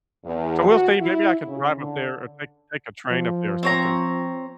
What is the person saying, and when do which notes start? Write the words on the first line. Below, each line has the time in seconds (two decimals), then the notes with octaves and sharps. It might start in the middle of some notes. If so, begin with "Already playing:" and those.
I will say, maybe I can drive up there, or take take a train up there, or something.
0.25 E2
0.68 F#4
1.01 E4
1.48 C#3
1.78 D3
3.11 F3
3.63 C4 C#5 A#5